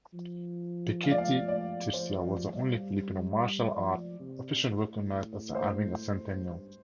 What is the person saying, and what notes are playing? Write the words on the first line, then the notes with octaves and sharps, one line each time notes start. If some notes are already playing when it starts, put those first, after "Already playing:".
Pekiti-Tirsia was the only Filipino Martial Art officially recognized as having a centennial.
F3
F5
D5
F5
D5
F3 C5
F3
G3
F3 D5
C3
A2
C5
G2